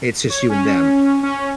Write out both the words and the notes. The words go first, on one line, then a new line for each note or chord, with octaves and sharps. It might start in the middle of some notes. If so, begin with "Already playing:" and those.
it's just you and them,
C#5
C#4
C#4